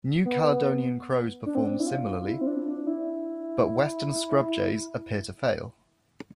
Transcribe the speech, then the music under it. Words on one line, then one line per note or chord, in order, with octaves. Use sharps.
New Caledonian crows perform similarly, but Western scrub-jays appear to fail.
B3
D4
C4
D4
E4
F4
E4
C4
D4
D4
E4